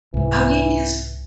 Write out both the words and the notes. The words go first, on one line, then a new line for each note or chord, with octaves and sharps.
Oh, yes.
C2 G#2 E3